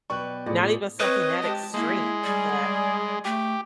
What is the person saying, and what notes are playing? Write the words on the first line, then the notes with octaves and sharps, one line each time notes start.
not even something that extreme that
B2 F#3 B4 D5 G5 C#6 F#6
A2 F4 G#4 D5
C4 B4 C#5 D#5
G#3 G4 A5
G#3 A#3 E4
G3 G#4 D5
A3 G4